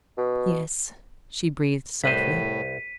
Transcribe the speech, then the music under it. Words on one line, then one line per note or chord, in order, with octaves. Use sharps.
"Yes," she breathed softly.
B2
C2 A2 B4 C5 B6 D#7